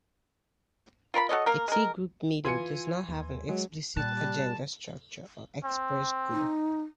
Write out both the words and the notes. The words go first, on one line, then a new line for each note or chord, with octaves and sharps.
A T-group meeting does not have an explicit agenda, structure, or express goal.
F4 A#4 A#5 B5
F#4 A4 C#5 D#5
A#3 A#4
G#3 A#4
E3 F4 G#5 C6 C#7
D#2
F#3 G#3
A#2 G3 A5 F#6
C4
D#4